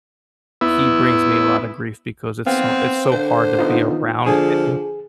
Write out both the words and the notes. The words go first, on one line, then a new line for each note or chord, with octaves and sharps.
he brings me a lot of grief because it's so it's so hard to be around him.
B3 E4
B3 C4 F5
D3 C5
B3 D#4 F4
D3 F3 G#4